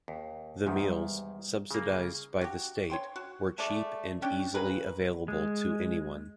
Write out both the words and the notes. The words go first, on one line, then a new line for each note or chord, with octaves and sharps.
The meals, subsidized by the state, were cheap and easily available to anyone.
D#2
E2 G#2 D#3 G3
C#3 A#3 G#4
F#4 G4
C#5 G5 C6
F#4
G#3 A3 A4 D5
C#4 D4 G5
C#3 G#4 A#4 B4
G#3